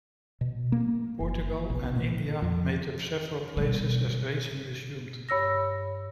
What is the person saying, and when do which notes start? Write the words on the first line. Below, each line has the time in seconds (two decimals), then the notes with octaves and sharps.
Portugal and India made up several places as racing resumed.
0.41 B2
0.72 A#3
1.20 F#1
1.70 B1
1.96 A#2
2.42 F2
3.56 B2 G3
5.29 G2 C#5 E6 A#6